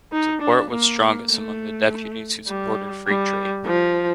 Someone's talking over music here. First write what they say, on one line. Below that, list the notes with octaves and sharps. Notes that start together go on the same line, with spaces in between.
Support was strongest among the deputies who supported free trade.
D#4
D4
A#3
A3
G3
G3
F3